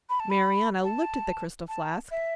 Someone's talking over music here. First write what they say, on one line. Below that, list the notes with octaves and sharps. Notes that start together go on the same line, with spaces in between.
Marianna looked at the crystal flask.
B5
A5
B5
A5
A5
E5